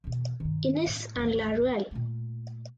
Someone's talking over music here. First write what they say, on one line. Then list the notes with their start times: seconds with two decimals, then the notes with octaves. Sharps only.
Innis and Laruelle.
0.04 E2 B2
0.40 G2 D#3
0.87 A2
1.16 A1 D#2
1.91 A#2 A3